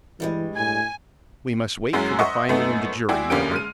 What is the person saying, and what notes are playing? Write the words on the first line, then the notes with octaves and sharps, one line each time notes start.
"We must wait for the finding of the jury, Margaret."
G2 E3 G3 G#3
A2 G#5 G#6
F#2 F#3 G#3 C#4 E4
C5 D#5 E5 F#5 C#6 D#6
F#2 A3 B3 D#4
G#3 E4 F#4 G#4 D5 G5
A1 D3 A#3 C#4 G4 D7
G#3 F6 D#7